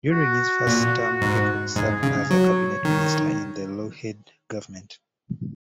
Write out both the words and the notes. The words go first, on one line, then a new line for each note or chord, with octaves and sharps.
During his first term Peacock served as a cabinet minister in the Lougheed government.
F#4
A#2
G#2
G#2 G#4
C#3
F#3 C#5
D#3